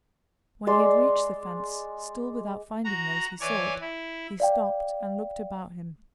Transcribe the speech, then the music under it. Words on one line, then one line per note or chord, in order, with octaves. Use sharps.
When he had reached the fence, still without finding those he sought, he stopped and looked about him.
G#3 D5 C6
F#4 A#5
E3 C#5 D5 G#5
E4
D5 F5 G5